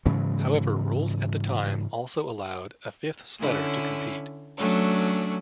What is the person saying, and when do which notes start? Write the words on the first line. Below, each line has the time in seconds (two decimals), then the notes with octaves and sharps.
However, rules at the time also allowed a fifth sledder to compete.
0.06 G#2 C#3 E3 F#3
3.40 D3 C#4 E4
4.58 F#3 A3 C#4 D4